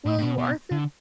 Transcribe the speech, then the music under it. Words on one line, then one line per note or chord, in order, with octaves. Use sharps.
Will you, Arthur?
A2
A2
B2
B2
D3